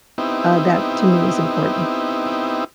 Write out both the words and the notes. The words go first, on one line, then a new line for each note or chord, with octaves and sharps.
uh, that to me was important.
B3 C4 D#4 E4 G4